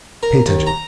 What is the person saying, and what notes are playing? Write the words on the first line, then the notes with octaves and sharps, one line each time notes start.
Pay attention!
A#4
D#2
A#5